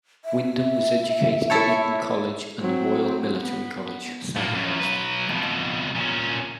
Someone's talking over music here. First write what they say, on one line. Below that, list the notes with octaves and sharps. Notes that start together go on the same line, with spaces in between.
Wyndham was educated at Eton College and the Royal Military College, Sandhurst.
E5
E4 A4 C#5
F#3 C4
B3
A2 A#3
F#2
F#3 B4
F2 B2
A#2 C#4